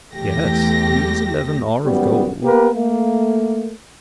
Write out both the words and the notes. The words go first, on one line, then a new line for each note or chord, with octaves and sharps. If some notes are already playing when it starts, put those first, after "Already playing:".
Yes, these eleven are of gold.
E2 A3 G4 A#6
G#1 F#2 G3 B3 F#4
A#3 B3 G4 A#4 B4
A3 A#3